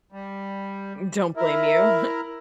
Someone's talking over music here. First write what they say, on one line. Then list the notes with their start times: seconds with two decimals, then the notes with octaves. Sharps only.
Don't blame you.
0.12 G3
1.37 E4 A#4 E5